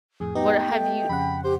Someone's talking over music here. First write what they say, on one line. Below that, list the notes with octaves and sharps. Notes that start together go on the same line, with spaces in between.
What have you
F2 A2 G#4
B3 D#4 G4 D#5 G5
A3
F2 C#3 F#5 B5
G4 C5